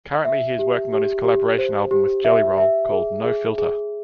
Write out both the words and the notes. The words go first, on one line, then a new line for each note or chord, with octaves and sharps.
Currently he is working on his collaboration album with JellyRoll called "No Filter".
E5
G4
G4
G4
C5
G4
E5
E5
G#4
G#4
G#4